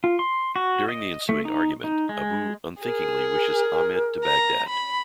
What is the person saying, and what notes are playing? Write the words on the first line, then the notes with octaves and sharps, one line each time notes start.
During the ensuing argument, Abu unthinkingly wishes Ahmad to Bagdad.
F4
C6
F#4
D#5
A3
D#4
D#4
G#3
G#4 A#4
A#5
B5